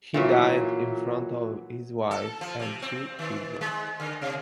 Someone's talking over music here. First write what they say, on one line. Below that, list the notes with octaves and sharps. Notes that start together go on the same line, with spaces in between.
He died in front of his wife and two children.
A#2 E3 F#3
A4
F3
C3
C4
D#3
G#3
D3
C3